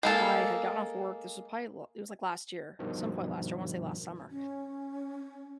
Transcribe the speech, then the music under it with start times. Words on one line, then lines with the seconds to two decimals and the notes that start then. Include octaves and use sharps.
I had gotten off work, this was probably l it was like last year, some point last year, I wanna say last summer.
0.03 G#3 A#3 A4
2.79 G2 B2 D#3 F3
4.31 C#4